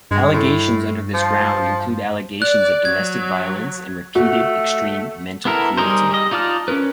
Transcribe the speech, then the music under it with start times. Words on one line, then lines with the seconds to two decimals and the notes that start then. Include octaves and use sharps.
Allegations under this ground include allegations of domestic violence and repeated, extreme mental cruelty.
0.11 G2 G#3
0.33 A2
1.14 F3
2.42 D5 F#6
2.85 F#3 G#6
4.15 A3 F#4
5.45 B3 E4 A4 A#4
5.77 G3 D#4 G#4 A#4 C5
6.11 G3 D#5
6.31 D#4 F4 D5 A5 F6
6.68 C#4 F#4 A#4 B4